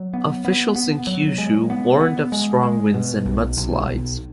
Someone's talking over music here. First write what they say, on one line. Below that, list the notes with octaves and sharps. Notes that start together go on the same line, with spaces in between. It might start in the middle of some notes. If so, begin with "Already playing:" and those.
Officials in Kyushu warned of strong winds and mudslides.
Already playing: F#3
B3
B3
B3
F#3
G#3
B3
B3
G#3
G#3
B2
B1
B1
B1